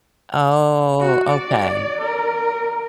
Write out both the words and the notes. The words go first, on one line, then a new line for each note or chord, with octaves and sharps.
Oh, okay.
F#4
D5
A#4